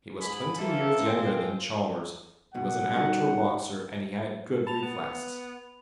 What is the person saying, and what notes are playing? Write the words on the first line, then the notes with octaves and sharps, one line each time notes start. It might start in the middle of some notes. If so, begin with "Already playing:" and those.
He was twenty years younger than Chalmers, he was an amateur boxer, and he had good reflexes.
G#2 G#4 B5
E3 F3 A#3 E4 A4
F3 G#3 C4
B1 B2 F#5
G3 D#4 F#4
A5 B5 F7
B3